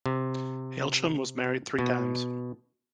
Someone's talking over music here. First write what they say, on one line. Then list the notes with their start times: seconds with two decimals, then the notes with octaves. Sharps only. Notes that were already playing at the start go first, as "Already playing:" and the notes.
Hailsham was married three times.
0.06 C3
1.79 B2